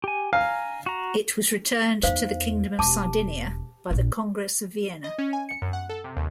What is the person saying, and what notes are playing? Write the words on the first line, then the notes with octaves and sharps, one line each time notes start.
It was returned to the Kingdom of Sardinia by the Congress of Vienna.
G4 G#5
F5 G#5 A#5
F#4 A#5
E2 D#4 C5 F5
E1 A5 D6
A#1 D4
D#5
C#4
G#5
C#7
F#2
F#5
A4
C3
D#2